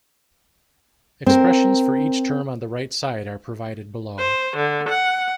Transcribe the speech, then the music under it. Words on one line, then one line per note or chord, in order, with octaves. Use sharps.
Expressions for each term on the right side are provided below.
C4 A#4
C5
D3
F#5